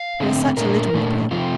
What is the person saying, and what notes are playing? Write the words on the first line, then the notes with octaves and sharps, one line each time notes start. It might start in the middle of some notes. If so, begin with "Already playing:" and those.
You are such a little nipper.
Already playing: F5
D3 A3 C4
A#2 A3 D4 A#4
A#2 A3 D4
C3 F3 A3 F4